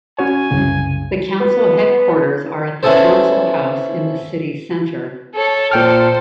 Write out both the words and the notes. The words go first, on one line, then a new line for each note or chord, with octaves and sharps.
The council headquarters are at the Council House in the city centre.
C#4 F#4 C#5 G#5
C2 F#2 C#3
B3
B3 C#4 E4 G#4 A4 C5
A4 C#5
A#2 A4 C5 G5 F6